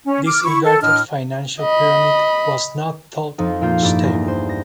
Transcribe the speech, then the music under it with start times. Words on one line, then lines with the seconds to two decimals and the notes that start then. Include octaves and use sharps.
This inverted financial pyramid was not thought stable.
0.06 C#4
0.27 D6 F6
0.45 E4 C#6
0.64 A4
0.82 A2 D4 D#5 F6
1.61 D#5 B5
3.38 F2 F3 D#4
3.61 A#2 A#3 F4 G6
3.82 G2 E4 D5
4.00 E2 A#6
4.28 C5
4.49 A#6